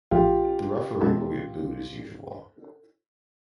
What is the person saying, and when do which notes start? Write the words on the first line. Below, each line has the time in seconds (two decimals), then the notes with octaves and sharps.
The referee will get booed as usual.
0.11 A#1 A2 F3 A3 F4 G4
1.01 B2 G#3 B3 E4 A4